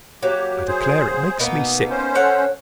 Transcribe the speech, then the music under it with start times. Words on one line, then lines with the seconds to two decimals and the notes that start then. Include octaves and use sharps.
I declare it makes me sick.
0.23 F#3 A#3 G4
0.67 G#4 C5
1.39 B2 A#3 B3 D#4
1.90 C#4 C5
2.15 A4 C#5 F#5